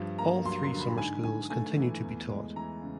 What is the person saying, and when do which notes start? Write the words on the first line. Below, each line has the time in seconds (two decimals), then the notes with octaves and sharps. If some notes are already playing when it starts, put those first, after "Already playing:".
All three summer schools continue to be taught.
Already playing: G2 F3
0.18 A#3 A#5
0.45 F#3 C6
0.63 C6
0.71 D3
0.80 B5
0.98 G#2 G#5
1.24 G#2 G#5
1.50 A3 G#5
1.77 E3
2.03 E2
2.29 G#3
2.56 E3 A#5
2.82 C#3